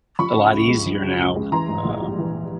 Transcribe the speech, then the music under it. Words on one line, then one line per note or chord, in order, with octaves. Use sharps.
a lot easier now, uh,
F3 B5 C#6
C#3
C#2
G#3
F3
C#3
C#2
G#3
E3 A#5 C6
G#2
A#1
G3
E3